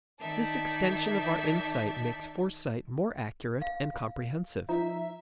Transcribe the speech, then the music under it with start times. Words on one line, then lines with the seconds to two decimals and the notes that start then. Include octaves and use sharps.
This extension of our insight makes foresight more accurate and comprehensive.
0.20 D#3 D#4 D5 E5 A5
3.61 F5
4.69 F3 D#4 E5 A#5